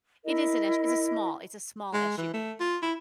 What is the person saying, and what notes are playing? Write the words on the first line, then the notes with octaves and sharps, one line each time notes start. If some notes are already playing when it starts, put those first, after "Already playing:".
It is an S it's a small it's a small SUV.
E4 A#4 D#5
G#3
E3
A3
F4
E4